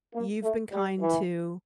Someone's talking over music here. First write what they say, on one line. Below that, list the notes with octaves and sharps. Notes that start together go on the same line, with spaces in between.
you've been kind to,
A#3
A3
G3
E3